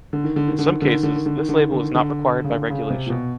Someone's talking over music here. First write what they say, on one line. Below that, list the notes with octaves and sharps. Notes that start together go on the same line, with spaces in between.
In some cases,this label is not required by regulation.
D3
D#3
D3
D#3
D3
D#3
D3
D#3
D3
D#3
D3
D#3
D3
D#3
D3
D#3
D3
C#3
D3
C#3
C3
A#2
B2